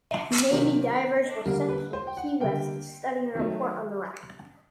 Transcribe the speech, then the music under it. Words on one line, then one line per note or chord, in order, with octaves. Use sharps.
Navy divers were sent from Key West to study and report on the wreck.
C3 D#3 F#3 A#3
D3 G3 A#3 A#4
B4
C5
G5
F#5
D3 G3 A#3 G5
D#3 F#3 A3